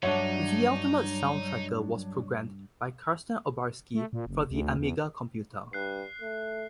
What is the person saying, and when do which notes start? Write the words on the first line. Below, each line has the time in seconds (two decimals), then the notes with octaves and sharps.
The Ultimate Soundtracker was programmed by Karsten Obarski for the Amiga computer.
0.03 G2 F#3 D4 D#4 C#5 E5 F#5
3.95 A3
4.13 A#2
4.26 F#1
4.51 D2
4.79 E2
5.73 G2 F#6 C7
6.22 A3